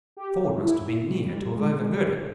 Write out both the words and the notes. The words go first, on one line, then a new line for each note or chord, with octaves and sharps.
Ford must have been near to have overheard it.
G4
E4
G3
G3
G#3
G#3